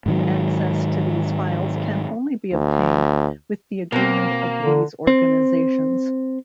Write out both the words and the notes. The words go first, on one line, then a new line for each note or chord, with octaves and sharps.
Access to these files can only be obtained with the agreement of these organisations.
G#2 D#3 F#3
D2
B2 A#3 C4
D3
C4